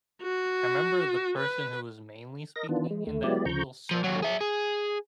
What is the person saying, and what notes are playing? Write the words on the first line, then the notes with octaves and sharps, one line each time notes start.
I remember the person who was mainly speaking in that little circle,
F#4
B4
A#4 D#5 A#6
D#3 E3 B3 D4 F4
G#3
D#2 A3
F#3 G#3 B3 E4 G4 D5
D2 C#3 F3 A#5 C#6 G6
F3
D#2 F#3
G#4 E5
G#4